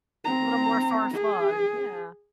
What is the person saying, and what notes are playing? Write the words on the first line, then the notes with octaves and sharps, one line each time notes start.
A little more far-flung, yeah.
C4 A#5
G#4